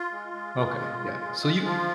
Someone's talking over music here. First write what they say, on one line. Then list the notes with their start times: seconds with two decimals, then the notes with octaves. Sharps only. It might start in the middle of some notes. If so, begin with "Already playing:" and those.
Okay. Yeah. So, you
Already playing: F4
0.12 G#3
0.33 G#3
0.55 G#3
0.77 G#3
0.99 G#3
1.21 G#3
1.42 G#3
1.64 F3 F4